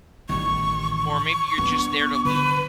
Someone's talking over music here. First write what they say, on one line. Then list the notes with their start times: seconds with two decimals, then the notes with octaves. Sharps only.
or maybe you're just there to loot,
0.29 A1 D#3 C#6
1.58 B3 D4
2.25 D3 B4